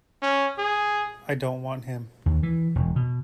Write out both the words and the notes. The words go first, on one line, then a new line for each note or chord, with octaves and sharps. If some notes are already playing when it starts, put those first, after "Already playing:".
I don't want him.
C#4
G#4
D#2
E3
E1
B2